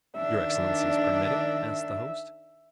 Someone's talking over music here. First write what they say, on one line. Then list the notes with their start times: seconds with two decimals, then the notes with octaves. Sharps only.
"Your excellencies permit it?" asked the host.
0.17 D#3 D4 E5